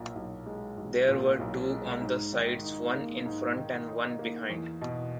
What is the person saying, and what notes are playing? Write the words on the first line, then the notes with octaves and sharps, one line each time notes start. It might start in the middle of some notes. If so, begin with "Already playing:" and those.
There were two on the sides, one in front and one behind.
Already playing: B1 A#2
B1
G#3
B1
A#2
B1
G#3
G#2
D#3
D#4
A#3
G#2
D#3
D#4
A#3
E2
B2